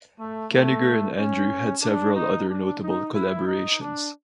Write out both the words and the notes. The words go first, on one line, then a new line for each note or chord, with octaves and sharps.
Kanigher and Andru had several other notable collaborations.
A3
A3
C#4
D4
D#4
D4
D#4
E4
D#4
D4